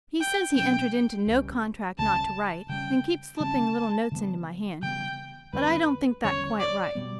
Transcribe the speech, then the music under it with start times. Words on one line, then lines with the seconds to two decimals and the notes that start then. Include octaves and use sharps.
He says he entered into no contract not to write, and keeps slipping little notes into my hand; but I don't think that quite right.
0.21 G5
0.56 B2 F#3 C#4 G5
1.27 C#2 C#3 G3
1.98 C#2 C#3 G3 A5
2.69 C#3 G3 C#4 G5
3.40 C#3 G3 C#4 A5
4.11 C#3 E3 G3 B3
4.82 C#3 E3 G3 B3 G5
5.53 E2 D3 G3 C#4 B4
6.24 E2 D3 G3 C#4 C#5
6.60 D5
6.95 B2 G3 B3